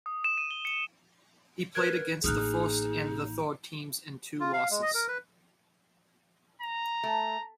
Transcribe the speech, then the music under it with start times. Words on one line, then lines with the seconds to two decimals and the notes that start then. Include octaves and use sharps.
He played against the first and the third teams in two losses.
0.06 D#6
0.24 E7
0.38 D#7
0.51 G7
0.65 C#7
1.75 A#4 B4 F#6 G#6
2.24 A1 A#3 D#4 G#4 D#6 F6 F#6
4.40 F4
4.53 F5
4.71 G#3
4.82 D#5
4.94 A#4
5.08 B4
6.62 A#5
7.03 A3